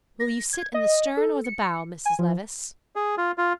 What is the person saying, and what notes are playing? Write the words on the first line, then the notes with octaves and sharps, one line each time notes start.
"Will you sit in the stern or the bow, Mrs. Levice?"
A#6
G#6
D#5
A4
C#7
G#5
F3
G#4
F4
F4